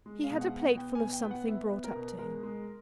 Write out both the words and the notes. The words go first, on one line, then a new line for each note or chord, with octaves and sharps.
He had a plateful of something brought up to him.
G#3
F5
B2
F#5
B3
F#5
B3 G5
G#5
B2
G5
B3
F#5
B3 E5
B3
A#4
B2
G#3 A#4
G#3